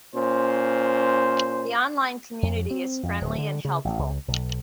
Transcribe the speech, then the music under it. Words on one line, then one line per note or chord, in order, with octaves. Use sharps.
The online community is friendly and helpful.
A#2 C#4 C5
F2
C4
F2
D1
D3
C#3
A1
C#2
B1